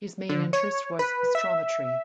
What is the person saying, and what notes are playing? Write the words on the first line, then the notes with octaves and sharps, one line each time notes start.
His main interest was astrometry.
D3
C#5
B4
E5